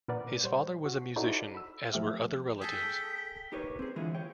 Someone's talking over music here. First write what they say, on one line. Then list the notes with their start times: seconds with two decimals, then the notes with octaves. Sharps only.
His father was a musician, as were other relatives.
0.08 A#2 A#4 B4 D5 F#5
0.44 G3 C5 C#5
0.86 F#4
1.16 D#4 E4 F#4 A4 C5 D5
1.54 B5 E6
1.92 F3 A3 G4 E5 F6
2.61 G#4 A4 G5 B6
3.52 D#4 G4 A#4 B4 C#5
3.79 C4 G#4
3.96 D3 E3 G#3 E4 F4 G#4
4.15 C#5 G5